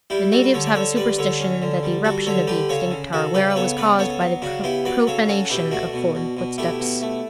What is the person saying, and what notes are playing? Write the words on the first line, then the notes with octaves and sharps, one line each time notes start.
The natives have a superstition that the eruption of the extinct Tarawera was caused by the profanation of foreign footsteps.
G3 E4 G4
G3 F#4 A4
B4
D3 A4 C#5
D5
D3 A4 C#5
G3 B4 D5
D3 A4 C#5
C#4
D3
G3
G3 F#4 A4
D3 A4 C#5
D3 G4 B4
C#3 A4 C#5
C#3
C#3 F#4 A4
C#3 G4 B4
B4
B3 A4 C#5
C#3 B4 D5
B3 A4 C#5
F#3
C#3 D4 F#4
B3 E4 G4
F#3 B4 D5
C#3 A4 C#5
C#4 F#4 A4
B2 E4 G4
A3 D4 F#4
B2
B2
B2
A3 E4 G4
B2
A3